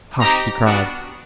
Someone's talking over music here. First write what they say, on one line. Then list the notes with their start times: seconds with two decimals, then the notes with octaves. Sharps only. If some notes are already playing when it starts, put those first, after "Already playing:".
"Hush!" he cried.
0.20 C4 D#4 G4 A#5
0.63 G3 B3 D4 F#4